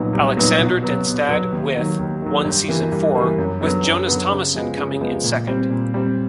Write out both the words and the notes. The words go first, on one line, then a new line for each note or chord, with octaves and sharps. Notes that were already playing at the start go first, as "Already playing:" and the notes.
Aleksander Denstad With won season four, with Jonas Thomassen coming in second.
Already playing: C2 A#2 F#3 B3 D#4
C2
A#2 F#3 B3 D#4
B2
F#3 B3
B2
F#3 B3
D#2
D#3 F#3
D#2
D#3 F#3
G2
E3 G3 A#3
G2
E3 G3 A#3
F#2
D3 F#3 B3
F#2
D3 F#3 B3
C#3
F3 G#3 B3
C#3
F3 G#3 B3
A#2
G3 C4
A#2
G3 C4